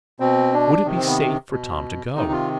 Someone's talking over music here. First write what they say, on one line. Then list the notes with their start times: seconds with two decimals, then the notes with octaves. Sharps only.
Would it be safe for Tom to go?
0.20 B2 C4
0.53 D4
0.85 C3 D#3
0.96 C4
1.07 B3
1.50 B2
2.15 C3 D#3 D#4
2.32 F4